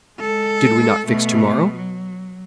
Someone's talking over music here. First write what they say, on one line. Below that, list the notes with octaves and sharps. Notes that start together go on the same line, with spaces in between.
"Did we not fix to-morrow?"
G#3 A4
B2 A3
F#3